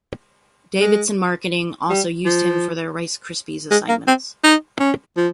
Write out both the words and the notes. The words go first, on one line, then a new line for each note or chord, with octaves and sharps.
Davidson Marketing also used him for their Rice Krispies assignments.
G#3
G3
F3
G#3
A#3
C4
D#4
C#4
F3